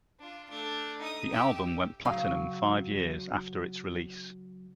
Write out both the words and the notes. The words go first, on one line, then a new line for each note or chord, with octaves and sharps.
The album went platinum five years after its release.
D4 F4
A3 D4
D#4 D#6
G4 E5
C#3 F#3 F5